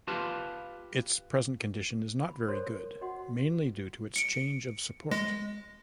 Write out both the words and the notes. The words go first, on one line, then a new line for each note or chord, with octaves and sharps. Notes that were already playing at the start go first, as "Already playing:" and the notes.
Its present condition is not very good, mainly due to its change of support.
F4 G4 B4 F5 A5 C6
B5
A4 A#4 C5 C#5 C6
F#4 D#5 F#5 C6
C#7 D7
G#3 A#6